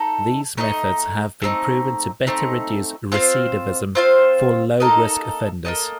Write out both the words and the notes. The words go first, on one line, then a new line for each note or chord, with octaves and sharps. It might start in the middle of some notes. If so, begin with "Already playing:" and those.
These methods have been proven to better reduce recidivism for low-risk offenders.
Already playing: A3 D#4 A4
A3 D#4 A4 D#5
A3 C4 D#4
A3 C4 D#4
C4 F4 C5 F5
C4 F4 C5 F5
A#3 D#4 A4 D#5
A#3 D#4 A4 D#5